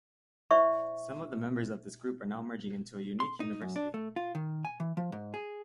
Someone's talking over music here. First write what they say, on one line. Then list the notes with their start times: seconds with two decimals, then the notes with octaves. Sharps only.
Some of the members of this group are now merging into a unique university.
0.51 E4 C5 D5 E5 C#6
3.20 C6
3.40 D#4
3.61 F#2
3.76 D4
3.94 A3
4.16 F4
4.35 D#3
4.65 G#5
4.80 E3
4.97 F3
5.12 G#2
5.34 G#4